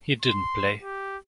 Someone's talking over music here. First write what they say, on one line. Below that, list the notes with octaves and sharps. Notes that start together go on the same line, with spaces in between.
He didn't play.
C6
G4